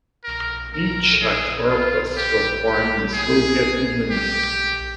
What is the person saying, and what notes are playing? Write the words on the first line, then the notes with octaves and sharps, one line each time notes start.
Yitshak Orpaz was born in the Soviet Union.
A#4
A#4
G#4
F4
G4
G4
G#4
G4